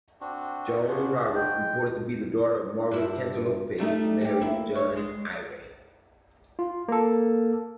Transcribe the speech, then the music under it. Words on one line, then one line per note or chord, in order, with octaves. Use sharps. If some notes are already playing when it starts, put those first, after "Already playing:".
Joan Robert, reported to be the daughter of Margaret Cantilupe, married John Eyre.
C4 D4 F#4
D4 F4 F#4 G#4
G#3 G5
G2 E4
G3 A3 D#4
G3 G4
A#3 E4
C#5
G#3
F4
A#3 A4